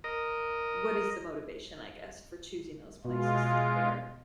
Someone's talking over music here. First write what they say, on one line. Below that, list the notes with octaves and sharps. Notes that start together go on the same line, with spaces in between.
what is the motivation, I guess, for choosing those places to share?
A#4 D#5
B2 G#3 F4